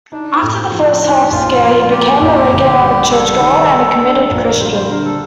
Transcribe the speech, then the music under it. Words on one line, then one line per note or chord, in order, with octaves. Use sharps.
After the first health scare he became a regular churchgoer and a committed Christian.
D4 D#4
C4
A2
A#3
F3 C4
D4
C4
D4 D#4
G4
A#1 F4
F3
A#3 G4
A#1
G1
G3
G3 A4
D#3
G3
D4
A4
A#1 A#4
A#4
G3 C5
C5
D3 A#4
A4